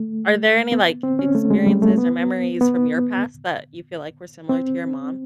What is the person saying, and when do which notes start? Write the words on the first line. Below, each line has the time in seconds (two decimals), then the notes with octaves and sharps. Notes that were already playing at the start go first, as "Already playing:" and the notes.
Are there any, like, experiences or memories from your past that you feel like were similar to your mom's?
Already playing: A3
0.72 B3
1.03 C4
1.19 C#4
1.35 A3
1.50 G#3
1.66 G3
1.82 A3
1.98 B3
2.61 B3
4.49 C4